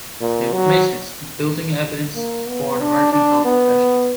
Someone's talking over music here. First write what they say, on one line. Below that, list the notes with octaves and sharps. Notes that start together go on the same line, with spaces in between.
The informationist: Building evidence for an emerging health profession.
A#2
F#3
A#3
B3
D4
D4
B3